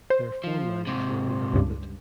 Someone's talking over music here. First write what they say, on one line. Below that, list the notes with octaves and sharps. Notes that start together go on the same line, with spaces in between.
Their phone lines were overloaded.
C5
F3
G#2 C3
C#2 G2